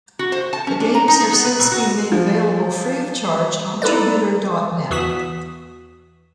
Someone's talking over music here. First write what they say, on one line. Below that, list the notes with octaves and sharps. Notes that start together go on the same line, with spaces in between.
The games have since been made available free of charge on Tubular dot net.
F#4
C5
A5
C#4
D4
A#5
D#4
G#4
B3
B4
A#2
F#4
F3
D#4 E4 A4 B4 D5
E2 E3 F#4 D#6 B6 E7